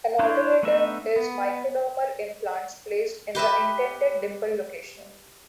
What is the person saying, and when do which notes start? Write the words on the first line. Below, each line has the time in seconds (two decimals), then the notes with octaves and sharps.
An alternative is microdermal implants, placed in the intended dimple location.
0.19 D4 E4 C5 C#5
0.63 A3 B3 D4 D#4 E5
1.16 B3
3.35 G4 B4 D#5 E5